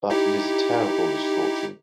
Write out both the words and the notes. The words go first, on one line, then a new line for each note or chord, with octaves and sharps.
But it is a terrible misfortune.
D#4 E4 G4